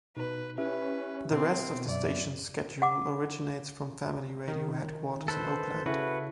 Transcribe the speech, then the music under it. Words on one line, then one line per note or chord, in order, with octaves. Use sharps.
The rest of the station's schedule originates from Family Radio headquarters in Oakland.
B2 D#4 B4
C#4 E4 G4 B4 E5
B2 C4
F#2 F#3 D5 E5
F#5 D6
D#3
A4 B4 C5
C#3 E4 F#4 A4 B4